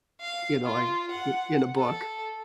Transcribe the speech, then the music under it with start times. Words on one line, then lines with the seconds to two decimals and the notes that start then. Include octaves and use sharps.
you know, like, in in a book.
0.21 F5
0.65 F4
1.11 F#5
1.76 A4